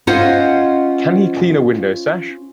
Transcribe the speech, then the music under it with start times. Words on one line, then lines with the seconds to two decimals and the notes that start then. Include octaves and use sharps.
Can he clean a window sash?
0.07 C#4 F4 C5 D#5 F#5